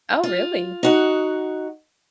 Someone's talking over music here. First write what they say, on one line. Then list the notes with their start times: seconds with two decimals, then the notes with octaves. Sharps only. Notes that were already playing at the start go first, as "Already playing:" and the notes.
Oh, really?
0.23 F4
0.83 D#4 F#4 F#5